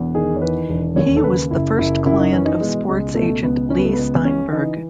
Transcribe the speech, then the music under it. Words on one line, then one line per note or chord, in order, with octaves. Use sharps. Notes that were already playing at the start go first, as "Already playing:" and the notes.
He was the first client of sports agent Leigh Steinberg.
Already playing: E1 E2
D#3 G#4
C#5
E3 B4
E1
D#2 C#5
A4
C#3 B4
F#1 E4
F#1 E4
F#2 E4
D#4
E3 C#4
D#4
B2 G#3
C#2 G#3
B2 A3
C#2 B3
C#2 C#4
B3
A3
B3
C#2
B3
C#3 C#4
E3 D#4